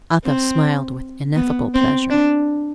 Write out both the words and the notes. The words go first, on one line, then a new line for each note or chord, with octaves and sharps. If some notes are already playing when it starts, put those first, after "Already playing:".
Athos smiled with ineffable pleasure.
C4
B3
C4
D4